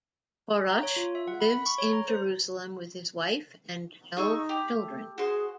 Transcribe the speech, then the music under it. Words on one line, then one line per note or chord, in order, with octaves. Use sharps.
Porush lives in Jerusalem with his wife and twelve children.
A#5
C#5
F4
E5
F#5
B5
B5
C#6
C#5
A#5
C5
D#4 G#4 C#6 E6
G4
A3
F#4 G#4 C5